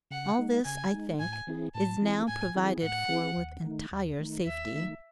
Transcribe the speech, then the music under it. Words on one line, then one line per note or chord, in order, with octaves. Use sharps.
All this, I think, is now provided for with entire safety.
C#3 F#5
G#3 D#4
C#3 G#5
G#3 D#4
A2 G#5
E3 C4 E4 G#4
A2 A5
E3 C4 E4 G#4
A2 G#5
E3 C4 E4 G#4
A2 F#5
E3 C4 E4 G#4
D#2
D#3 A3 D#4
D#2
D#3 A3 D#4
D#2 E5
D#3 A3 D#4